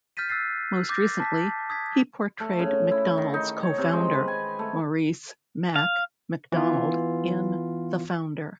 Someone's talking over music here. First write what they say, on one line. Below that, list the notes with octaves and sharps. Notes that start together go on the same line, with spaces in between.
Most recently, he portrayed McDonald's co-founder Maurice "Mac" McDonald in "The Founder".
F6 G6 A6 B6 D#7
E6 F#6 A6 C7
D6 G6 A6 A#6
A5 B6
D#6 G#6 B6
A3
C#3
E4
D#3
D#4
C#5
C3
G#3
B4
G#5
A3
F5
E3 B3 F4